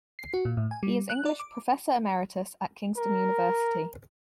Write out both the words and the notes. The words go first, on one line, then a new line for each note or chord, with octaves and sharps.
He is English Professor Emeritus at Kingston University.
C7
F#4
A#2
A2
G#5
G3
F#6
D5
D6
A#4